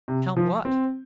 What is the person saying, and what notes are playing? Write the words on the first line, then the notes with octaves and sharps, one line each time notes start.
"Count what?"
C3
F3
C4